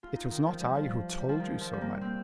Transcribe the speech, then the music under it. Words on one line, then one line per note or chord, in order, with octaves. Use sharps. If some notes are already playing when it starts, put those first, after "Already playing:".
"It was not I who told you so, my lord."
F4
D#4
D#3
F3
G3
F3
G3
F3
D#3
F3
G3
A#3
C4